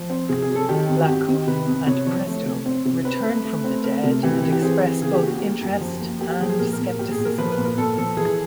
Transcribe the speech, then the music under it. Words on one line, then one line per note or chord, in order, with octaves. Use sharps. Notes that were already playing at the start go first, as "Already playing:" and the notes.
Lacouf and Presto return from the dead and express both interest and scepticism.
Already playing: F3
C4
C3 G#4
G#4
F#3
A4
D#3 G4
F2
F#4
F2 G4
D#3
C3 B4
F2
C3 C#5
F3 C#5
A3
C3
C4
C3
C4 B4
A3
A3
C4
A3 A#4
C3
E3 G4
E3
G4
C4 G#4
E3
C#3 G#4
G4
A#3
F#4
A#3 G4
F#2
F3
A#3
A#3 G4
G4
F3 G#4
G#4
A#2 A#4
A#4
A#2
A#2 G4
G#4
A#2
A#4
F3 B4
B4
A#2
A#4
A#2 A4
F3 A4
E3 G#4